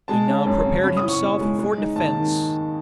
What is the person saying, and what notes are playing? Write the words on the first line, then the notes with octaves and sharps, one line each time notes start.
He now prepared himself for defence.
G#3 A5
C#4
F#2
C#3
C#4 B5
D#6
E4
C#6
B2
G#3
G#3
D#4
D#2 A5
D#3